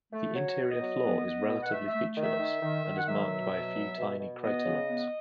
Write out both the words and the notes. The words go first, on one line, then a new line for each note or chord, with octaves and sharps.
The interior floor is relatively featureless, and is marked by a few tiny craterlets.
A3
F#3 C#5
B3
D#5
F#3
B3
B3
B2
F#5
A3 E5
E5
A3
D#3
E5
D#3
D#3
D#3
F#5
F#3 E5
B2
F#3
B2
B2
B2
B3 D#5
C#3
B3